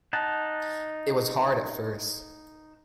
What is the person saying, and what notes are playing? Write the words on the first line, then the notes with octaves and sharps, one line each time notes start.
It was hard at first.
D#4 F#5 A5